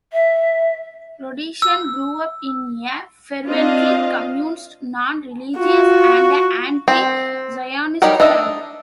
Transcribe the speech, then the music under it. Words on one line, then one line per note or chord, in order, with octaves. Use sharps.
Rodinson grew up in a fervently Communist, non-religious and anti-Zionist family.
E5
E6
C4 D4 F4 D#5 F5
F4 F#4
C4
F#3 G3 D#4 G4 A#4
D4 D#4 D#5 E5